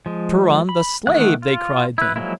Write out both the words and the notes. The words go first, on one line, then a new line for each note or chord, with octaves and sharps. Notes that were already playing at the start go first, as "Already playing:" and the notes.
"Turan the slave," they cried then.
F3 G#3
B5
D#3 E3 A3 F#5
F4
E4 B4
F3 F#3 G#3 A#3 E4